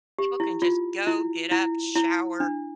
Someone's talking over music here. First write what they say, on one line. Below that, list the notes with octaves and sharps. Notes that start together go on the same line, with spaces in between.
some people can just go, get up, shower,
G4
E4
F4
E4
E4
E4
D4